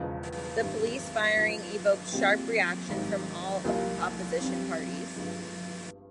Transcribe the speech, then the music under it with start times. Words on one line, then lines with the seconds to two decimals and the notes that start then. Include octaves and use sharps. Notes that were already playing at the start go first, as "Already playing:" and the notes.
The police firing evoked sharp reaction from all opposition parties.
Already playing: E1 E2 C#3 F3 G#3
0.61 G#1 G2 G3
1.37 G1 G2 F3
2.12 A#2 G#3 C4 G4
2.89 G#1 G#2 G3
3.64 C2 A#2 G3 A#3 F4
4.40 G2 G3 C4
5.16 G1 G2 F3 G#3